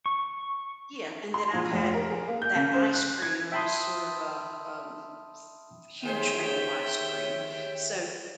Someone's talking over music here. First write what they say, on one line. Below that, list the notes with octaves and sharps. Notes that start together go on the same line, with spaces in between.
Yeah, and then I've had that ice cream, I'm just sort of a, um, s huge fan of ice cream, so
C#6
C6
A#1
F1
A#4
G#4
A#3
G6
C#3
C5
F#6
G#6
E5 G5 A5 B5 C6 D#6
D#2 G#4 C5 C#5 E5 G5